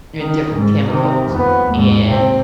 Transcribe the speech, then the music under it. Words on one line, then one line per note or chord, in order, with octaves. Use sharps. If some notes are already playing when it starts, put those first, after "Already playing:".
and different chemicals, and,
D#3
G#2
C3 D#3
F2 B3
D#2 G#2
C3 C4